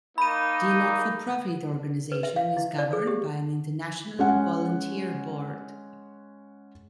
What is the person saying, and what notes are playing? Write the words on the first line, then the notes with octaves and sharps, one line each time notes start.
The not-for-profit organization is governed by an international volunteer board.
A#3 D#4 B5 D#7
B4
E5
F5
E4
D5
G#4
G4
G#3 C#4 F#5